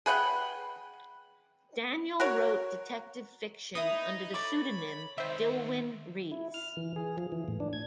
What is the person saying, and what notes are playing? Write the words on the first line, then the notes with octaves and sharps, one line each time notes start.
Daniel wrote detective fiction under the pseudonym Dilwyn Rees.
G#4 B4 F#5 G5
F#4 A#4 C#5
D#4 E4 B4 D#6
A4 C#5 B5 D6
D#3 C4 C5 E5
E4
F6
E3
G#4
F3
E3
A2
D4
G#6